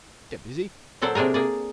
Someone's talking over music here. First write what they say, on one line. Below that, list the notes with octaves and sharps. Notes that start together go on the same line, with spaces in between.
"Get busy."
A#2 F#3 A4 C5 D5
C3 A#3 D4 G#4 A#4
A#3 G#4 D5